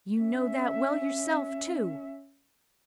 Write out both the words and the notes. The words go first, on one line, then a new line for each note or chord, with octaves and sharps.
You know that well yourself, too.
C#4 E5